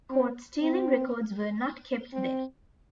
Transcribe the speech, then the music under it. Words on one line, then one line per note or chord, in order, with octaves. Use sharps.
Caught stealing records were not kept then.
C4
C4
C4